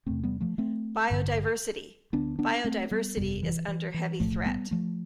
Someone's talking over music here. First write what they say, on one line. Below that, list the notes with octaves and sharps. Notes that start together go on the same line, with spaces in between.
Biodiversity: Biodiversity is under heavy threat.
F1 E2 C3 A3 C4
G3 B3
F3 A3
A3 C4
A1 G2 D3
D2 D3 B3 D4
B3 D4
A3 C4
G3 B3
G1 F2 C3 G3 B3
E3
E3
E3
B1 A2 F3 A3
G3 B3
F3 A3